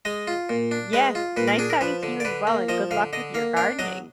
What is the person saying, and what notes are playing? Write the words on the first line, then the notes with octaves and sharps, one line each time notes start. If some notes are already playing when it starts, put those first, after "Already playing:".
Yes, nice talking to you as well, and good luck with your gardening.
G#3 D#5
F4
A#2
D4
G#3 B4
F4
A#2 B4
A#4
D4 G#4
A#4
F3 B4
D3
D5
D3 B4
A#3
F3 D#5
D3 F5
D3 D#5
A#3 F5
D4 F5
F#3 D#5